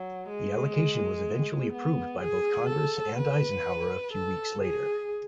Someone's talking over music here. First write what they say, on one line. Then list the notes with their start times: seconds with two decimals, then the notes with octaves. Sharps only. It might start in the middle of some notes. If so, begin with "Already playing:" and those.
The allocation was eventually approved by both Congress and Eisenhower a few weeks later.
Already playing: F#3
0.29 G#3
1.73 B3
2.21 G#4
2.69 A4
3.18 B4
4.13 A4
4.62 G#4